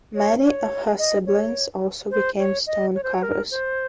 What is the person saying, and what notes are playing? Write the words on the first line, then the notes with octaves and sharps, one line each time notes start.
Many of her siblings also became stone carvers.
C#5
C#5
D#5
C#5
C5
C#5
D#5
C#5
C5
C#5
A#4
C5